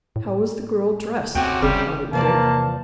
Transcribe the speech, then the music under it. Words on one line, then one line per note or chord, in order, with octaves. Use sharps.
"How was the girl dressed?" cried Dick.
A2
D2 C3 C#4 F#4 G5
F#1 C#3 G3
E2 C3 F3 A#3 D5 A5